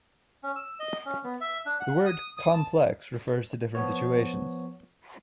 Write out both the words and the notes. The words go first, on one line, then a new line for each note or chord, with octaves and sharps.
The word "complex" refers to different situations.
C#4
E6
D#5
C#4
B3
E5
D4
F#5
D#6
D#6
A5
F3 B3 C#5